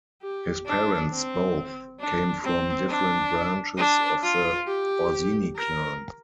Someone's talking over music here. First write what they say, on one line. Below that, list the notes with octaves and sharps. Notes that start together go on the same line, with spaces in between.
His parents both came from different branches of the Orsini clan.
G4
D4
C4
D4
C4
D4
D4
F4
G4
A#4